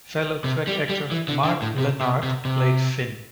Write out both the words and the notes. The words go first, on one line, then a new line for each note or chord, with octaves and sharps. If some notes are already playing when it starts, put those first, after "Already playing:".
Fellow Trek actor Mark Lenard played Finn.
C3
G3
G3
E3
D3
D3
A2
C3
C3
C3
C3